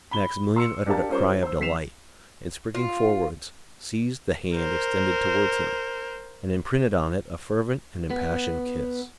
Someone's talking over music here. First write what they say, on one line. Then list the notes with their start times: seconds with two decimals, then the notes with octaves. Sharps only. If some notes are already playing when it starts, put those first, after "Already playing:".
Maximilian uttered a cry of delight, and, springing forwards, seized the hand extended towards him, and imprinted on it a fervent and impassioned kiss.
0.11 B5 G7
0.56 C6 E6 C#7
0.86 D4 G4 A#4 F5 A5
1.09 G3 C#4 F4 A#4 C5 C#5
1.43 C5 E6
1.60 F2 B6 C7 E7 F7
2.74 F4
4.55 A#4 C5
8.10 B3